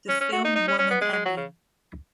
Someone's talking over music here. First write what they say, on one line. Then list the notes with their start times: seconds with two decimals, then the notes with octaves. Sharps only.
The film won an Emmy.
0.09 C#4
0.21 C#4
0.32 F#4
0.45 D#4
0.55 D#4
0.68 C#4
0.79 C#4
0.90 B3
1.01 G#3
1.13 G#3
1.25 F#3
1.37 C#3